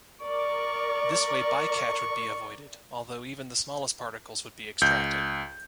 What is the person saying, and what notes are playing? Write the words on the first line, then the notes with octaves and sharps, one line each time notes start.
This way bycatch would be avoided, although even the smallest particles would be extracted.
A#4 D5 C#6
C#2 G6